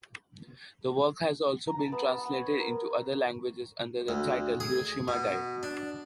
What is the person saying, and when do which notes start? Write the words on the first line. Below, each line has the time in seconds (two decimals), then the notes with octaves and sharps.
The work has also been translated into other languages under the title “Hiroshima Diary”.
1.67 A#5
1.80 A5
1.92 B3
2.18 F#5
2.32 C#5
2.60 A#4
4.09 D2
4.60 G#4
5.08 B2
5.63 D4